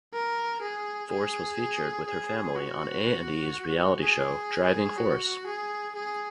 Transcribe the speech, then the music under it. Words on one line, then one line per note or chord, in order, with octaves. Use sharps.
Force was featured with her family on A and E's reality show "Driving Force".
A#4
G#4
G#4
G#4
F#4
G#4
F#4
G#4
G#4